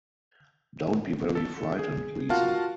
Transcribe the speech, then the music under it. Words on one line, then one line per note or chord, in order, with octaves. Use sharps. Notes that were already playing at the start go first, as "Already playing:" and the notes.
Don’t be very frightened, Lisa.
A4
G#4
F4 F#4 A#4 F5 F#5 A5